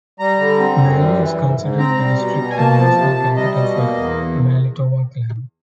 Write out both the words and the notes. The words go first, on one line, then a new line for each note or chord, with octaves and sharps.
Malie is considered the district and national capital for the Malietoa clan.
G3 A#5
D3
C4
F#2
G3
E3
G#2
G#2
C4 A#5
G3
B2
B2
G#5
A#3 A5
F3
C3
C3
G3 D#5
B2
A#3
E2